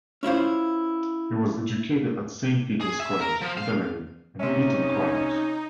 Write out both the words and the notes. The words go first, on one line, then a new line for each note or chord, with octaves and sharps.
He was educated at Saint Peter's College, Adelaide, and Eton College.
C#4 E4 F4 C5
G#4
E5
A#4
F3
F5
C3 C#4 D#4 E5